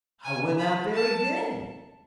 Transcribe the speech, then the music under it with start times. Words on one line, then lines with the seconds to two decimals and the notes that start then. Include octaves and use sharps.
I went out there again.
0.24 G#5
0.59 B5
0.94 A5